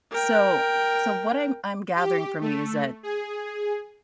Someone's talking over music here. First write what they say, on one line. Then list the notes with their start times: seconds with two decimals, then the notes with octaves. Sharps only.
So so what I'm I'm gathering from you is that,
0.11 A#4 G5
1.96 G4
2.41 A3
3.03 G#4